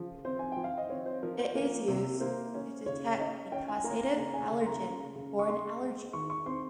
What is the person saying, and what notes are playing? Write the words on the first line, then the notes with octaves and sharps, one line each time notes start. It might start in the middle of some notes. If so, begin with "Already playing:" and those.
It is used to detect the causative allergen for an allergy.
Already playing: C#3 F3
C4 C5
G#5
F3 G5
F5
D#5
C4 C#5
C5
F3 A#4
C5
A#3 A#4
C3
A#3 C5
C#4
C#3 C#5
C#4 D#5
C#4 G5
G#5
A#3 A#5
A#5
C#3 A#5
G#5
C#3
C6
A#5
C#3
C#3
C#6
G#3 C6
G#3
D#3 C#6
C#6
C4 C6